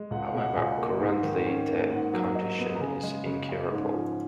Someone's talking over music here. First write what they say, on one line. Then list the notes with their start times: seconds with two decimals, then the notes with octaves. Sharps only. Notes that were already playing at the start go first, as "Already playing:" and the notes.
However, currently the condition is incurable.
Already playing: G#3
0.11 C#2 F#5
0.25 F5
0.34 B2 F#5
0.56 C#2 G#5
0.78 A#3
1.01 G#2
1.23 D#3
1.47 C#4
1.69 A#3
1.91 G#2 F#5
2.14 F#3
2.35 D#4
2.59 B3
2.75 A#5
2.81 C#3 G#5
3.03 G#3
3.26 C#3
3.49 C#4
3.71 G#2
3.93 F3